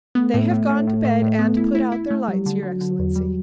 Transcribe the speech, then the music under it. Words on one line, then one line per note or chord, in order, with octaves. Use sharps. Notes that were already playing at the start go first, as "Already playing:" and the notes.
"They have gone to bed and put out their lights, your excellency."
A3 B3
A2
A2
A2
A2
A2
A2
B3
E4
E4
E4
A3
F#3 G3
D3
D3 F#3
D3
E2
G3